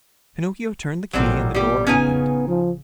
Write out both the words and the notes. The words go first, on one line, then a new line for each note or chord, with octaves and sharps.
Pinocchio turned the key and the door opened.
A1 A#2 F#3 G3 C4
A#2 G3 B3 G4
C#3 B3 C#4 D#4 G#5
F3